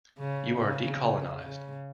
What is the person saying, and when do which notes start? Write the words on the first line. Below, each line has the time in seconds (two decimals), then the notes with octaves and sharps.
You are decolonized.
0.18 C#3
0.59 C#3
1.01 C#3
1.43 C#3